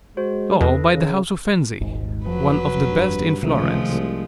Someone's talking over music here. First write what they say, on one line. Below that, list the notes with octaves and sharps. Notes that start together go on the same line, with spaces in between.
"Oh, by the house of Fenzi, one of the best in Florence."
G#3 F#4 C5
E2 A4 B4 D#5
C#3
D#1 G#1 G#2
F1 F2 F3 F#3 B4
G2
C#2 C3 D#3 F3 G#3 A3
C2